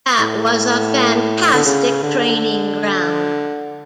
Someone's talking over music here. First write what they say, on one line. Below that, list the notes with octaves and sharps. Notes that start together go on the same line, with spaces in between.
That was a fantastic training ground.
A2
D3
C#3
D3